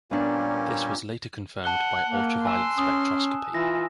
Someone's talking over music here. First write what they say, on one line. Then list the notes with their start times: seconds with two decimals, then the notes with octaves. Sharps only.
This was later confirmed by ultraviolet spectroscopy.
0.11 A#2 G3 A#3 B3 C#4 D4
1.64 F#5 A5 F#6 G7
2.07 A#3
2.45 G#5 C6 E6 E7
2.78 C#4 D#6
3.54 E3 F4 A#6